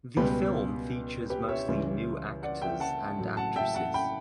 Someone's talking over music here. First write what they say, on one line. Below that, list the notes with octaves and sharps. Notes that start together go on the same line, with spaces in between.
The film features mostly new actors and actresses.
C#2 B2 G3 G4 B4
G4 B4
C#5 E5
C#2 C#3 E3 G3
D5 F#5
E5 G5
F#5 A5
A1 A2 F#3
F#5 A5
E5 G5
F#5 A5
G5 B5